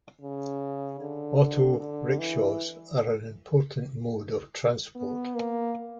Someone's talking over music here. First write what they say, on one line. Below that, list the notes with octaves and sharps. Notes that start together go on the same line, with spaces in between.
Auto-rickshaws are an important mode of transport.
C#3
D3
D3
E3
B3
A#3